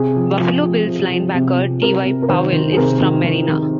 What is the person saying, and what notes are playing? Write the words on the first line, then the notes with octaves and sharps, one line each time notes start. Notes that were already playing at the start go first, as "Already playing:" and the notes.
Buffalo Bills linebacker Ty Powell is from Marina.
Already playing: C3 G#4
F3
F3
F3
F3
F3
C3
C3
C3 A#4
C3
A#4
D#3 C5
D#3
G#4
C3 A#4
D#3
D#3
D#3